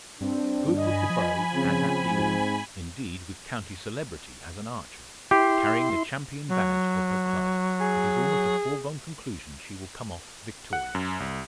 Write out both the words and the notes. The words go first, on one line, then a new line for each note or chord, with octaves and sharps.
Good with the bow, as at the oar--indeed with county celebrity as an archer--carrying the champion badge of her club--it is almost a foregone conclusion she will come off victorious.
G2 C4 D4
D#5 G#5 B5
F3
C#3 C4
G#2
E4 G4 C6
F#3
G#4
F#5
F#2
C2